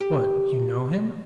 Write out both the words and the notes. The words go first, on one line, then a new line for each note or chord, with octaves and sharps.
"What--you know him?"
G4